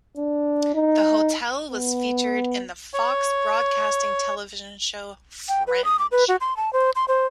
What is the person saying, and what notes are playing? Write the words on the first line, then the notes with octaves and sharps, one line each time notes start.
The hotel was featured in the Fox Broadcasting television show "Fringe".
D4
D#4
B3
C#5
G5
B4
D#6
D6
B4
F#4
C6
A5
C5
C6
C5